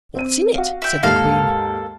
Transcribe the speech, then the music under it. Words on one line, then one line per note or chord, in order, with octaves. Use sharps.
'What's in it?' said the Queen.
C4 D#7
F#4 F5
E4 G5
D#2 G#2 A#3 A4 F5